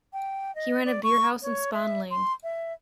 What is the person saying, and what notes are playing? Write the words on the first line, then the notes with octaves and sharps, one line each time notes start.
He ran a beer house in Spon Lane.
G5
D#5
D5
C#6
C#5
E5
C6
E5